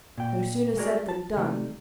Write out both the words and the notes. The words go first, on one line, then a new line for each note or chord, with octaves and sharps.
No sooner said than done.
A#2 G5
G#3 F#4 G#4 A#4 D5
A5
C3 D#3 G3 A3